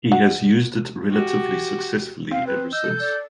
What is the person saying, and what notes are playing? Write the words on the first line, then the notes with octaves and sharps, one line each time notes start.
He has used it relatively successfully ever since.
F#4
F#4 G4
C4 F5
B4
D#5 E6 G6
A4
D5